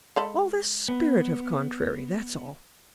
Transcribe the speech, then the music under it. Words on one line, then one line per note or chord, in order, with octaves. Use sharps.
All the spirit of contrary, that's all.
G#3 A4 B5
B3